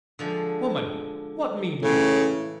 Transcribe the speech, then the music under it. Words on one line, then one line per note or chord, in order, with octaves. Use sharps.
"Woman, what mean you?"
D3 F3 G#3
A2 C#3 E3